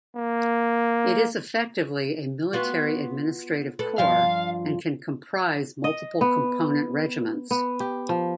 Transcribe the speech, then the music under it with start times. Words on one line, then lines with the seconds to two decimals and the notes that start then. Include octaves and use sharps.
It is effectively a military administrative corps, and can comprise multiple component regiments.
0.16 A#3
2.53 B3 F4 F#4
3.79 A4 B4
3.98 G2 F3 F4 F5
5.84 D#5
6.21 B3
7.51 B3
7.80 G4
8.09 F3